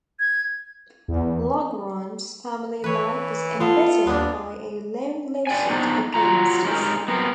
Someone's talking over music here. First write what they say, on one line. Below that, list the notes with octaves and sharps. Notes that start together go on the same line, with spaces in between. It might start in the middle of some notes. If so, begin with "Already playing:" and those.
Lagrange's family life was embittered by a long lawsuit against his son.
G#6
E2
E3 B4 C#5
B3 F4 A4
D#2 B3 D4
D5 G5 G#5
B3 D4 D#4 C5
F#3 F4 A#5
G#3 C#4 D#4 G4 A#4
B3 C4 A#4